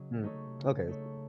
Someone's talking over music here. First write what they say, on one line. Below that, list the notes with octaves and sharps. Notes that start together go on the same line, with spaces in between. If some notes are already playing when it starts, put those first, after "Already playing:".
Mm. Okay, I see
Already playing: C#3 F#3 C#4 D#5
D#3 A3 D#4 A4 C#5
C#3
C3
C#3
A3 D#4 A4 C#5